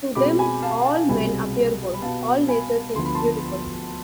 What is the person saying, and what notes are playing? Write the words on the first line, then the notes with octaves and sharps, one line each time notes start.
To them all men appear good, all nature seems beautiful.
B2 G#3 C4 B5 D6
G#5 B5
F5 A5
F5 A5
C2 B2 G#3 C4 G#5 B5
B5
B2 B3 F5 A5
G#5 B5
D2 D3 F3 B3 C6
B5
A5 C6